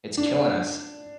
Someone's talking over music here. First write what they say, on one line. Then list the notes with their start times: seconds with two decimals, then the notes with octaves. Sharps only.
It's killing us.
0.17 D4